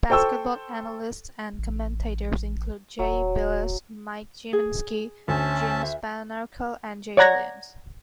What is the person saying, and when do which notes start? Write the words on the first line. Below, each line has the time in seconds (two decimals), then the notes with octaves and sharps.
Basketball analysts and commentators include Jay Bilas, Mike Gminski, Jim Spanarkel, and Jay Williams.
0.10 A4 C5 G5 C#6 E6
1.58 A1
2.99 D#1 F#3
4.53 G#4
5.28 D2 C#4 E5 A5
5.83 E5
7.17 C#5 D5 F#5 A#5 G#6 A#6